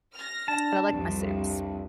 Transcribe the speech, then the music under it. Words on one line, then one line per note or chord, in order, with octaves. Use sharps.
but I like my soups.
F6 A#6
D4 A5
C2 F2
G2